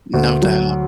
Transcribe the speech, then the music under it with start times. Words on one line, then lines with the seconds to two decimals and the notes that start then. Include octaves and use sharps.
No doubt.
0.14 D2
0.42 F#3